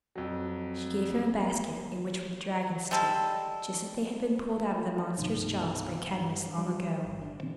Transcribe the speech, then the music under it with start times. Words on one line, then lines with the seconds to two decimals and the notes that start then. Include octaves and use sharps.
She gave him a basket, in which were the dragon's teeth, just as they had been pulled out of the monster's jaws by Cadmus, long ago.
0.16 F2 F#3
2.91 G3 G#3 A4
5.18 C2 G2 B2 D#3
6.13 G2
6.58 G3
7.03 G1 C#2 G3
7.21 D3
7.41 A#2 E3 C4